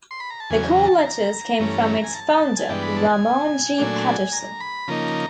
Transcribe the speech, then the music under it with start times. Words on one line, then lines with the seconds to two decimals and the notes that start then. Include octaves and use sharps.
The call letters came from its founder, Ramon G. Patterson.
0.11 C6
0.20 B5
0.30 A#5
0.40 A5
0.50 E2 C#3 F#3 G#5
0.68 A#5
0.86 A5
0.98 A5
1.05 A#5
1.59 G2 E3 A3 C#4
2.04 G#5
2.14 A5
2.57 G#5
2.69 G2 E3 G#3 B3 D4 G5
2.83 B5
2.96 A5
3.10 G#5
3.78 A#2 F#3 A3 D4
4.33 A#5
4.60 B5
4.88 C#3 F3 A#3 D#4 A#5